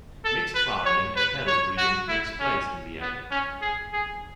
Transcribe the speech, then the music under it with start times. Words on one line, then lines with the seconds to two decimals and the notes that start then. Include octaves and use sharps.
Mixed farming and cattle breeding takes place in the area.
0.25 A4
0.55 B4
0.85 C#5
1.16 B4
1.47 C#5
1.78 F#4
2.09 E4
2.40 C#4
3.01 B3
3.31 C#4
3.62 G#4
3.93 G#4